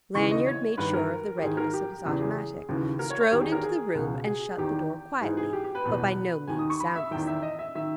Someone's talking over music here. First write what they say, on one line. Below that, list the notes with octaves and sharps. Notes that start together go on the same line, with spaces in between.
Lanyard made sure of the readiness of his automatic, strode into the room, and shut the door quietly but by no means soundlessly.
D#2 C#3 E3 C#6
D#5
C#5
G2 D#3 B4
A#4
G4
G#2 D#3 G#4
A#4
G4
E2 C#3 E3 G4
G#4
D#2 C#3 E3
A#4
C#5
C#5
E2 D#3 G4
G#4
A#4
G#4
C#2 B2
G#4
E2 D#3 G4
G#2 E3 G#4
G#4
G4
G4
B4
E2 B2
D#2 D#3 G#5
D#6
C#6
B5
E5
E2 D#3 G5
E5
D#5
E5
D#3 E5